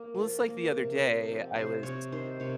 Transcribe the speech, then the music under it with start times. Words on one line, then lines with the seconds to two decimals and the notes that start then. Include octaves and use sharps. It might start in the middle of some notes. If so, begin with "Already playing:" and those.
Well, it's like the other day, I was
Already playing: A#3
0.15 F3
0.42 A#3
0.71 C3
0.99 C3
1.28 F3
1.56 C3 C5
1.83 C3 C#5
2.12 D#3 C5
2.40 C3 C#5